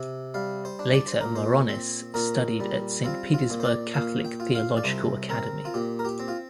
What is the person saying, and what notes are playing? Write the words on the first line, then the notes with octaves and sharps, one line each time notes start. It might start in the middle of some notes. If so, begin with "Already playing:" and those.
Later Maironis studied at Saint Petersburg Catholic Theological Academy.
Already playing: C3
G3 F5
C5
D4
D5
C5
A#2 A#4
C5
C4
A#2 A#4
G3
C4 F4
F4
A#2
C5
D5
A#2 F5
G5
F4
F5
D5
C2 C5
C4 A#4
F4
A#2 G4
A#4
G4
C4
F4